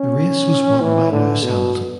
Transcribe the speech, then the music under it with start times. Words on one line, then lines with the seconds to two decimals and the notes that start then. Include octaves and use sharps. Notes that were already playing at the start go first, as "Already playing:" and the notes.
The race was won by Lewis Hamilton.
Already playing: C#4
0.81 E3
1.12 D3
1.43 B2